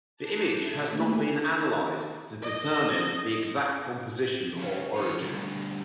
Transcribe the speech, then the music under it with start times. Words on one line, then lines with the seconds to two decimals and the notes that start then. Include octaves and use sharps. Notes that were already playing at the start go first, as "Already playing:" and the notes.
The image has not been analyzed to determine its exact composition or origin.
0.16 A5 A#5 D6 F#6 G6
0.56 A4 E5 B5
0.88 A3 A#3 G4 G#4 B4
2.42 D#5
4.57 C#3 E3
4.94 F4 C#5
5.22 D2 G2